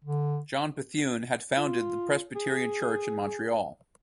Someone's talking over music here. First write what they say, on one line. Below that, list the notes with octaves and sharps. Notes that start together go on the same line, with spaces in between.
John Bethune had founded the Presbyterian Church in Montreal.
D3
F4
G#4